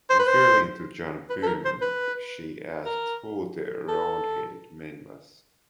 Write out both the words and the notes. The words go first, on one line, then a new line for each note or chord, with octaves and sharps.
Referring to John Pym, she asked who the roundheaded man was.
C5
B4
C5
B4
A4
A#4
C5
B4
A#4
A4